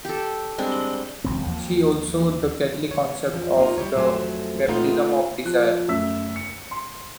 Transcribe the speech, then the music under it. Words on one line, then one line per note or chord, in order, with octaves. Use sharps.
See also the Catholic concept of the "Baptism of Desire".
G4 A4
G3 G#3 C4 D4
E1 C#2 F#3 C4
D#2 F3 A#3
C#5
E2 F3
A#3 D#4 F4
G3 E4 G4 C#5
F2 F#3 A3 G4 C5 G#5
A#2 A3 B3 C4 D#4 F4
F3 F#6
F#2 A3 E6 B6
C#7
C6